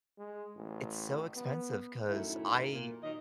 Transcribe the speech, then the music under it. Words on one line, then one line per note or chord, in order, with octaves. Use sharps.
it's so expensive 'cause I
G#3
A1
B3
F#2 A2 D#3 E4
A#2 A#3
A#2 D#3 F#3 D#5